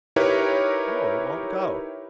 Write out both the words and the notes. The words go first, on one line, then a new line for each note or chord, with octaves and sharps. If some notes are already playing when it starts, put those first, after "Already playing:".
Oh! it won't go.
D#4 E4 G4 A#4 B4 C#5